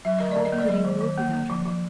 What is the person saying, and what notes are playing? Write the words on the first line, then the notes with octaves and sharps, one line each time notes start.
How could he live without her?
F#3 E5
D3 D#5
D3 D5
D#5
A#3
D5
F#3 D#5
D#3
D#3
A#3
A#3
F3
F3